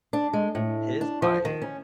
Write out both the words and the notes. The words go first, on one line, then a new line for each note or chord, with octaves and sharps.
his bike,
D4
G#3
A2
D4
F3
D#3
C#4